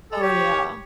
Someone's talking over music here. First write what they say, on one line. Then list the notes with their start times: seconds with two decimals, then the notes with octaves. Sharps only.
Oh, yeah.
0.12 A4
0.21 G4 C#5